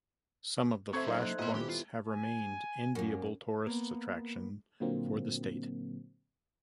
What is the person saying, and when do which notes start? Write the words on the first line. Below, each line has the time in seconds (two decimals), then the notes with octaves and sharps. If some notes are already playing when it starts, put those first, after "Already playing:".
Some of the flash points have remained enviable tourists' attraction for the state.
0.93 C4 F#4 A4 C5 E5 C#6 G#6
1.07 F#3 A#3 D#4
1.21 F#6
1.39 A#2 B3 E4 D#5 B5
1.54 D#1 G4
1.69 F4
2.06 G#5
2.95 F#2 A#2
3.67 A#3 B3
4.80 A#2 D3 F#3 A#3 C4